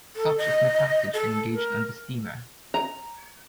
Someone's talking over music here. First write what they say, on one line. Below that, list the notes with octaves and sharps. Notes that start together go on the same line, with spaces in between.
Such is my passage engaged on the steamer.
A4
D#5
A4
A#4
A#5